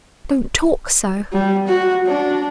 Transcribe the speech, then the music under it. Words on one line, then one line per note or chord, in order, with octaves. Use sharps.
Don't talk so.'
G3
F#4
D4